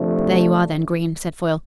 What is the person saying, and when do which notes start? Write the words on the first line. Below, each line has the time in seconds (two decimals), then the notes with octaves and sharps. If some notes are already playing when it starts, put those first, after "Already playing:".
"There you are, then, Green," said Foyle.
Already playing: C3 F3 A3 D4